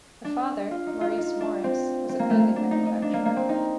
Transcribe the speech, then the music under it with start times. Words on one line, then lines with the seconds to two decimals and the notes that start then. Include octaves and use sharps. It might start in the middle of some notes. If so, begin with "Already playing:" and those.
Her father, Maurice Morris, was a clothing manufacturer.
0.24 D4
0.71 F4
0.87 D#4
1.01 F4
1.11 F4
1.17 D#4
1.40 D4
1.64 C4
2.09 C4
2.19 A#3
2.30 A3
2.40 A#3
2.56 D4
2.71 D#4
2.86 D#4
3.02 D4
3.13 A#3
3.25 A#3
3.36 C4
3.49 D#4